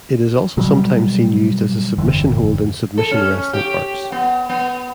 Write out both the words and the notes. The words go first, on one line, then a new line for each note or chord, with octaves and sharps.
It is also sometimes seen used as a submission hold in submission wrestling arts.
B2 D#3 F#3 G3
G1 F2 D3 E3
A4
C#4
G4
B3
B3